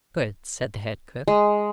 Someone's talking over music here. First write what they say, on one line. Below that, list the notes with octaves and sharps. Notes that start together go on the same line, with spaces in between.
'Good,' said the head cook.
G#3